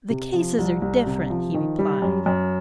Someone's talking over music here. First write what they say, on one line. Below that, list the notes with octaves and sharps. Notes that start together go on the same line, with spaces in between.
'The cases are different,' he replied.
C3
F3
C2
C2
C3
F3
D#3
G3
F#2
F#2